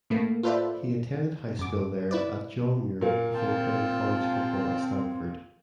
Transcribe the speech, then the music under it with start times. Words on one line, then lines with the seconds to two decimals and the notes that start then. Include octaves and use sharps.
He attended high school there at John Muir before playing college football at Stanford.
0.10 A2 A3 A#3
0.43 F4 A4 B4 C5 D5 E5
1.59 F#2 D6
2.11 E4 B4 D5
3.01 A#2 A#3
3.34 C4 F4 G5 A5